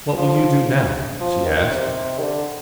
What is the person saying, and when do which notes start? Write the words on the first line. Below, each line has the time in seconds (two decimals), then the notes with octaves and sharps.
"What will you do now?" she asked.
0.17 F3
1.21 F3
1.46 D#3
1.71 C3
2.18 D#3
2.23 D3